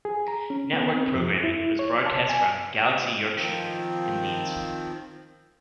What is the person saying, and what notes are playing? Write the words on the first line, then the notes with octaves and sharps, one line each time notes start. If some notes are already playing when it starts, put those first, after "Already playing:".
Networked programming was broadcast from Galaxy Yorkshire in Leeds.
G#4
A#5
C#4
B3
C4
F2
E4
C#5
A5
G#5
D#3 F3 C4